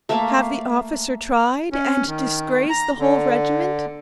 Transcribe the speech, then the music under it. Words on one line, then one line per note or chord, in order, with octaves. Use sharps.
Have the officer tried and disgrace the whole regiment?
A3 A#3 E5 F5
C#4
D#3
A#5
D3